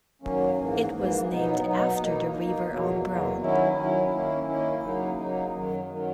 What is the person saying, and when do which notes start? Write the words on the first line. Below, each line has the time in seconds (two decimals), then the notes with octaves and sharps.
It was named after the river Ombrone.
0.22 F#2 D#3 F#3 A#3 C#4
0.57 G#2 E3 A#3
0.92 G#2 E3 A#3
1.28 B2 F#3 B3 D#4
1.63 B2 F#3 B3 D#4
1.99 B2 A#3 D#4
2.34 B2 A#3 D#4
2.69 E2 B2 F#3 A#3
3.05 E2 B2 F#3 A#3
3.40 D#3 F#3 C#4 E4
3.75 D#3 F#3 C#4 E4
4.11 D#3 A#3 C#4 E4
4.46 D#3 A#3 C#4 E4
4.82 C#3 F#3 A#3 D#4
5.17 C#3 F#3 A#3 D#4
5.52 F#2 D#3 F#3
5.88 F#2 D#3 F#3